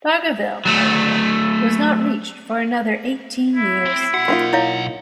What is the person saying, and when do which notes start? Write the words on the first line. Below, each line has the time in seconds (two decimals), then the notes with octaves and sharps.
Dargaville, however, was not reached for another eighteen years.
0.65 F#3 A3
3.55 E4
3.85 C4
4.14 B1 F#4 F#5
4.28 A#3 D#4 F4 F#4
4.53 E4 C#5 F5